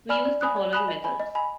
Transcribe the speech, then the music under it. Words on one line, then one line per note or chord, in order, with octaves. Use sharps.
We use the following methods.
D5 G#5 B5 F6
D5
G#5 B5 D#6 F#6
D5
G#5 B5 D#6 F#6
D#5
G#5 B5
D#5
G#5 B5